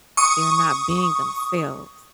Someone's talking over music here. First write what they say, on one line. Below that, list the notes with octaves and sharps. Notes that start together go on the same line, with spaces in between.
they're not being themselves,
C#6 D#6